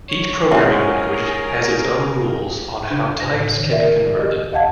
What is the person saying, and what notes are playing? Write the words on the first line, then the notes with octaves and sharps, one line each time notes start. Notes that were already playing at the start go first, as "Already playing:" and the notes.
Each programming language has its own rules on how types can be converted.
C#5
G#3 C#4 E4 G#4 A#4 E5 F#5
C#3 D4
A2 C#3 A#6
D#3
A#4 D5 E5
G4 D#5
D#2 D#5 F5 F#5 A5 G#6